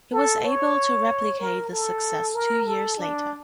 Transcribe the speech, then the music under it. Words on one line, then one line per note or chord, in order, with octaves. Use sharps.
He was able to replicate this success two years later.
A4
C#5
A#4
A4
A#4
A4
D4